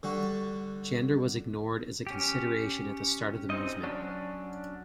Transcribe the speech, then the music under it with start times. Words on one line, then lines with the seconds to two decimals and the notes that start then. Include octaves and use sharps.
Gender was ignored as a consideration at the start of the movement.
0.03 D3 G3 F#4
2.07 C#4 G4
3.50 C4 D#4 D#5
3.83 F#3 C#4 D4